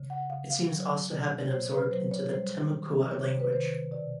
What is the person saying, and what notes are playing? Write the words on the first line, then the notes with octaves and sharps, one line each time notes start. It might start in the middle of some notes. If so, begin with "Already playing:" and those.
It seems also to have been absorbed into the Timucua language.
Already playing: C#3
F#5
C#3 F5
F5
F#3
B2
C#5
B2 C5
B4
F#3 C5
C#5
G3 C5
D#3
C3 C#5
C5
B4
D#3 C5
B2 D5